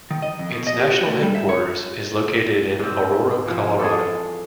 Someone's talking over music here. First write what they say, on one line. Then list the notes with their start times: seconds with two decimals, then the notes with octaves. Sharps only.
Its national headquarters is located in Aurora, Colorado.
0.11 D#3
0.22 D#5
0.39 F2
0.52 B2
0.67 D#5
0.80 G4
0.93 F#4
1.07 A3
1.22 G3
1.35 E5
1.49 C#5
2.79 G#2 C4
3.46 E3 F3
3.79 G#4 A4